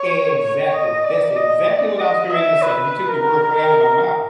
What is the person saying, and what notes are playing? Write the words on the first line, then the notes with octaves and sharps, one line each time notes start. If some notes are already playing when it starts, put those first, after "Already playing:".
Exactly, that's exactly what I was getting ready to say; you took the words right out of my mouth,
Already playing: C#5
D#5
D5
D#5
D5
D#5
E5
B4
A#4
A#4